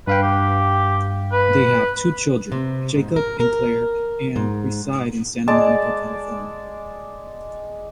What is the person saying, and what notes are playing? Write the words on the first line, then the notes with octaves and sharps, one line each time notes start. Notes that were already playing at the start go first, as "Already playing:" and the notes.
They have two children, Jacob and Claire, and reside in Santa Monica, California.
G2 B4 F5 G5
G4
B4
C3
G#2
A#4
A#4
G#2
G#3 D5 A5